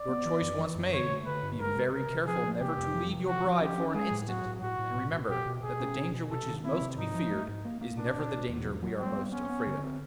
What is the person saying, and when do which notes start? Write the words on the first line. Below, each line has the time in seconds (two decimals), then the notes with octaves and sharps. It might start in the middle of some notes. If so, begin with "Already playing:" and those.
Your choice once made, be very careful never to leave your bride for an instant, and remember that the danger which is most to be feared is never the danger we are most afraid of.'
Already playing: D5
0.09 B3
0.25 E3
0.41 F#2
0.59 E3
0.76 F#2
0.93 D3 C#5
1.10 A3
1.26 D3 B4
1.43 G2
1.60 G#3 A#4
1.76 C3
1.93 C3 A#4
2.10 C3
2.27 F3 G#4
2.44 A#3
2.60 C3 G4
2.77 F2
2.94 F3
3.11 C3
3.27 F3 F#4
3.45 F3
3.61 C#4 G4
3.78 C#4
3.95 G#3 G#4
4.11 A2
4.28 F#3 F#4
4.46 A2
4.62 A2 F#4
4.79 A2
4.96 B2
5.13 B2
5.29 B2 G4
5.46 B2
5.63 B2 G#4
5.80 C#4
5.97 B2
6.14 B2
6.30 C3 A4
6.47 D#3
6.64 C4 E4
6.81 C3
6.97 G#2 D#4
7.14 F3
7.31 A3
7.48 G#2
7.65 A#3
7.81 A#3
7.98 B2 D4
8.15 B2
8.32 B2
8.48 E2
8.65 F#3
8.82 F#3
8.99 G3 C4
9.16 B3
9.32 B3 C#4
9.50 B3
9.67 D3
9.83 C4